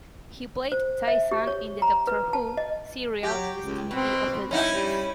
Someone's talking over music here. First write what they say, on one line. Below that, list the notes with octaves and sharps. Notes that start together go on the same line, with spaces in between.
He played Tyssan in the "Doctor Who" serial "Destiny of the Daleks".
C5
E5
G4
C#5
A#5
B4
A5
D#5
F#3 G4
C#2
B2 C4
C#4 D#4 E4
G3